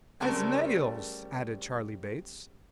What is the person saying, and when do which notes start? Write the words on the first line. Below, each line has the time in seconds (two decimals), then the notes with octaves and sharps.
'As nails,' added Charley Bates.
0.21 C#3 G3 A3 C4 A#4